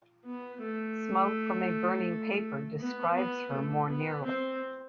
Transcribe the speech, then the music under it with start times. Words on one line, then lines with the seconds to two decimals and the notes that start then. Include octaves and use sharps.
Smoke from a burning paper describes her more nearly.
0.25 B3
0.63 A3
2.80 B3
3.16 B3
3.53 A3
3.88 B3
4.25 C4